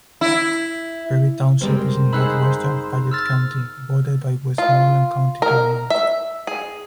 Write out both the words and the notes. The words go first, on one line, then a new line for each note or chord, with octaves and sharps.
Perry Township is in northwestern Fayette County, bordered by Westmoreland County to the north.
E4
F#1 G3 G#3 C4 A#4 C5
D#4 G#4 F#5 B5 E6 F#6
E6 F6 A6
F4
A#4
E5
G#4